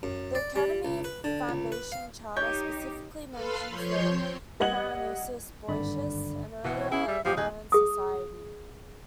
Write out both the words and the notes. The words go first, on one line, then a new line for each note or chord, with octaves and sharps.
The Academy's foundation charter specifically mentions the Parnassus Boicus, an earlier learned society.
F#2
D5
G3
C#2
B4
D3
C#2
B4
F5
D#4 G4 C#5 G6
A4 B4 F5 B5 C6 F6
F3 C#5 C6 G6
C4
G3 D#5 F#5 G#6 F#7
G#1 G2 D3 D5 B5
B2 E3 C#7
C#5
C#4 E4 G#4
G3 E5
A1 F3 G4 D#6
D#1 D#4 G#4 G#5 F#6
G#4 D#6